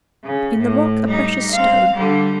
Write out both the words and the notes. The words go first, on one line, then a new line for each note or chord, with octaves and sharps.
In the rock, a precious stone.
C#3
A2
G3 D#4
C4 F5
D3 G3